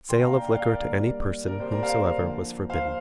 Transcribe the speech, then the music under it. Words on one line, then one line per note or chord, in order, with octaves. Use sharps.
Sale of liquor to any person whomsoever was forbidden.
D3 A#3 G5 C6
F5 A#5
D5 G5
D5
F5
A#4 D5
D3 G3 A#3
C3 A#3 A#4 D5
G4 C5
A#4 D5
C5 F5
D3 F3 A#3
C5 F5